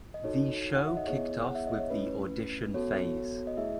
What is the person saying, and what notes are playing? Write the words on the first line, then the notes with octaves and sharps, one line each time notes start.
The show kicked off with the audition phase.
D#5
D#4 F#4 A4 C#5
F#5
E5
D#5
B3 E4 G#4 C#5
F#5
E5
D#5
C#5
A3 C#4 E4 B4
B3 F#4 A4 C#5
D#5
A3 E4 G#4 E5